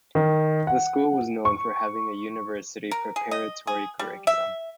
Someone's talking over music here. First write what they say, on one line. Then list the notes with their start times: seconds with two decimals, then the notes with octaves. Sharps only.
The school was known for having a university preparatory curriculum.
0.15 D#3
0.67 F#5
1.45 C#6
2.91 A#4
3.16 G#4
3.31 D#5
3.67 G#4
3.99 G3
4.27 E5